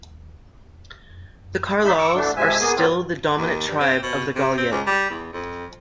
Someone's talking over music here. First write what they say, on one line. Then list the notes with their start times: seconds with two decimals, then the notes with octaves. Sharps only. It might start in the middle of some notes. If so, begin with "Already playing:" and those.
The Karlal's are still the dominant tribe of the Galyat.
1.84 D4 D#4 E5
1.98 C#6 D6 E6
2.15 D3 E3 A3 D4
2.37 C3 F3 G#3 E5 G#5
2.60 A#3 B3 G#4 D#6
2.76 F#3 A#3 C4 F4
3.37 D#2
3.68 G2
3.81 C4
4.03 B2
4.35 C3
4.57 C4
4.71 C#2
4.87 G3
5.10 E2
5.33 F2